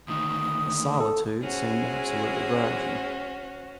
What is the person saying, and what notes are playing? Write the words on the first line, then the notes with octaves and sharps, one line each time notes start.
The solitude seemed absolutely virgin.
D2 D#3 D#6
A4
G#3 C#4 E4 F#4 G#4 C5